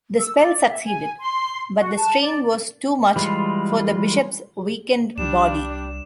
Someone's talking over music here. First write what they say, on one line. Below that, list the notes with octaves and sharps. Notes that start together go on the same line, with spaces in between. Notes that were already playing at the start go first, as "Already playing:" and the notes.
The spell succeeded, but the strain was too much for the Bishop's weakened body.
E6
D5
E5
G#5
C6
F#4
A5
D5
E3 G3 G#3 F4
C2 G3 D4 E7